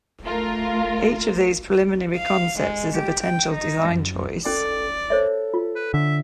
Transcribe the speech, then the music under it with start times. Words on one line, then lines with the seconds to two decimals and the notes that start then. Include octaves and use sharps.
Each of these preliminary concepts is a potential design choice.
0.24 A3 F4 A#4
2.16 F5
2.59 G#3
2.93 G4
3.24 G5
3.55 D#4
3.90 F#2
4.45 C#4 A4 D5 G5
5.10 A4 C5 C#5 E5
5.54 F4
5.76 B4
5.94 D3 E5